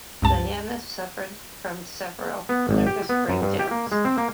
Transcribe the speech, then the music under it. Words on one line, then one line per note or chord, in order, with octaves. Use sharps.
Diana suffered from several nervous breakdowns.
C#2 G2 A5
B3
G#1
G4
B3
F#2
G2
G4
A#3
G#3
C4
A#3